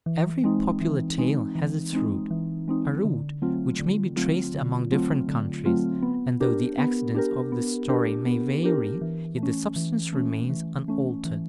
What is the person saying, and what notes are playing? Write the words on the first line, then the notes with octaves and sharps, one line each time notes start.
Every popular tale has its root, a root which may be traced among different countries, and though the accidents of the story may vary, yet the substance remains unaltered.
E3
G#3 C4 D#4
E3
G#3 C4 D#4
E3
G#3 C4 D#4
E3
G#3 C4 D#4
D3
F#3 A3 C4 F4
D3
F#3 A3 C4 F4
D3
F#3 A3 C4 F4
D3
F#3 A3 C4 F4
B3
D4 G4 A#4
B3
D4 G4 A#4
B3
D4 G4 A#4
B3
D4 G4 A#4
E3
A3 C#4
E3
A3 C#4
E3
A3 C#4
E3